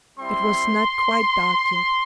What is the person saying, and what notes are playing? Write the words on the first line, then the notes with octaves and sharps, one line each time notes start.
It was not quite dark yet.
G3 C4 E4 C6